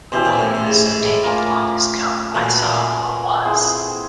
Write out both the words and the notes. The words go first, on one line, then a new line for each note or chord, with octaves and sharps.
While he was taking off his coat I saw who it was.
B2 C#4 E4 G4 C5
A#2
A2
A2
G#2
G#2
A2
A#3 C#4 F4 A#4
A#2 A3 C#4 F#4 B4
A#2
C4 E4 G#4 C5